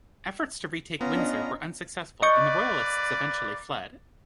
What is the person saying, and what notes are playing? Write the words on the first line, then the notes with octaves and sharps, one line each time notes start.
Efforts to retake Windsor were unsuccessful and the royalists eventually fled.
B3 C#4 F4 A#5
D4 D#5
A#3 B4 D5 D#5 C#6 G6